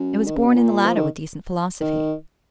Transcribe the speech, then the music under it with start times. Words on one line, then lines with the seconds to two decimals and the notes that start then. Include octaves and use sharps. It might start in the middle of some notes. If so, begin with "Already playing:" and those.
It was borne in the latter with decent philosophy.
Already playing: F#2
0.27 D#3
0.36 C#3
0.46 B2
0.55 A#2
0.86 F3
0.97 D#3
1.81 D#3